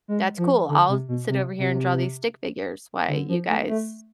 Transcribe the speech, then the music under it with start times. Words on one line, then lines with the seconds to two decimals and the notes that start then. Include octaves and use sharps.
that's cool. I'll sit over here and draw these stick figures while you guys
0.08 G#3
0.38 F3
0.69 D3
0.88 C3
1.08 B2
1.29 C3
1.58 C3
3.08 D3
3.29 F3
3.49 A3
3.68 A3